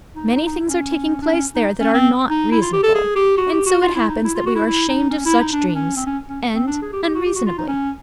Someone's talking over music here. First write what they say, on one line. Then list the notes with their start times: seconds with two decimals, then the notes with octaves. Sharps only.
Many things are taking place there that are not reasonable, and so it happens that we are ashamed of such dreams, and unreasonably.
0.15 D#4
0.36 D#4
0.46 D#4
0.68 C#4
1.22 D4
1.33 C#4
1.55 D#4
1.80 C#4
1.94 C4
2.29 D#4
2.51 E4
2.62 F4
2.73 G4
2.83 A4
2.95 G#4
3.15 G4
3.37 F#4
3.52 G4
3.66 F#4
3.81 F4
3.95 E4
4.09 D#4
4.24 E4
4.35 F4
4.46 F#4
4.55 E4
4.66 E4
4.88 D#4
5.10 C#4
5.26 E4
5.40 D#4
5.53 D4
5.68 D4
5.75 C#4
5.96 C4
6.06 C#4
6.29 C#4
6.54 C4
6.67 D4
6.82 G#4
6.93 G4
7.03 G4
7.15 F#4
7.25 G4
7.35 F#4
7.46 F4
7.58 D#4
7.68 C#4